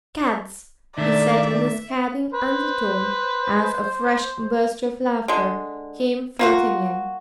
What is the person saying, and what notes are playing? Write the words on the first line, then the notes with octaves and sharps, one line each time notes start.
"Cads!" he said in a scathing undertone, as a fresh burst of laughter came floating in.
D#3 A3 D4 D5 E5
B4 C5
D3 G#3
A#3 F4 F#4